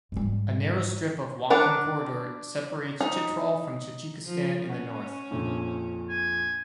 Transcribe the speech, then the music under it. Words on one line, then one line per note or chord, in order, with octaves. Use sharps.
A narrow strip of Wakhan Corridor separates Chitral from Tajikistan in the north.
G#2 G3
D4 A#4 F#5 A5
D#4
F3
C#4 F#5
A#1 F2 A#2
G#5